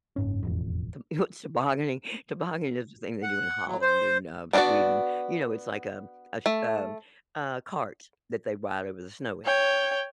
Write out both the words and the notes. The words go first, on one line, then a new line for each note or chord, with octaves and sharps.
Th what's tobogganing? Tobogganing is the thing they do in Holland, and, um, Sweden. You know, it's like, um, uh, ch um, a cart that they ride over the snow in.
F#1 G#2 C#4
E1 A1 F2
F#5
F#3
C5
B3 D4 F4 F#4 D5
A3
C#5 G5